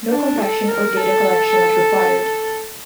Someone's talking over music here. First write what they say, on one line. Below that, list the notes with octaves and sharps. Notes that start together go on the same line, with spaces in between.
No compaction or data collection was required.
D4
A4
A#4
A4